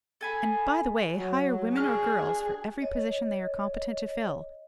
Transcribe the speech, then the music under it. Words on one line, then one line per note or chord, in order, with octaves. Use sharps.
And, by the way, hire women or girls for every position they are competent to fill.
A4 G#5 B5
F#3
D4 F#4 G#4 F6
C#5 D#5